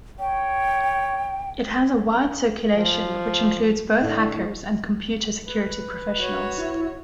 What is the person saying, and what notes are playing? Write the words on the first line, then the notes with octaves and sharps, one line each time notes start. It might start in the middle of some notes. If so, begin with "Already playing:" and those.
It has a wide circulation which includes both hackers and computer security professionals.
C#5 G5
F3
A2 D3
B4
F#4 C#5
E4